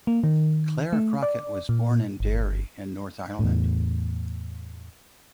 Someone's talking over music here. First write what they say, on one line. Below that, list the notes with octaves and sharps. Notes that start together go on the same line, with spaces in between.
Clare Crockett was born in Derry in Northern Ireland.
A#3
D#3
A3
D5
A#2
G1
E2 A2